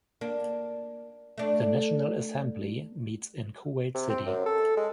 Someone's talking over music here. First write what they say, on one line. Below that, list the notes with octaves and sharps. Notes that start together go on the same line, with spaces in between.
The National Assembly meets in Kuwait City.
A#3 D4
A3 D4
C3
C4
F#2
A4
G#3